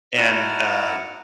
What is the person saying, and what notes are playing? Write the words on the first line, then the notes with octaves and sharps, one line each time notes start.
and uh,
D#4 E4 F#4 F#5 A5 F6